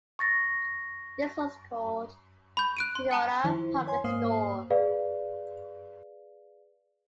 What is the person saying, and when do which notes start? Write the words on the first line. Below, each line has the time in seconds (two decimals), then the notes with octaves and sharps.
This was called "Toyota Public Store".
0.19 C#6 A6 A#6
2.57 B5 C#6 G6
2.77 F#6 D7 D#7
2.95 C6
3.11 G5 A5 A#5 F#6
3.44 D#3 F3 E4 C5
3.87 C#5 G#5 C6
4.04 G#2 A#3 C5 F5 D#6 C7
4.70 G#4 B4 D5 F5